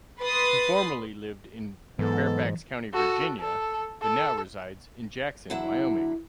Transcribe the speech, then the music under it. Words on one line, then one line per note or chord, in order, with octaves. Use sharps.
He formerly lived in Fairfax County, Virginia but now resides in Jackson, Wyoming.
B4 B5 C6 D#6 A6
G#2 E3 F#3 B3 A4
F#4 A4
A4
A4
D3 F#3 E4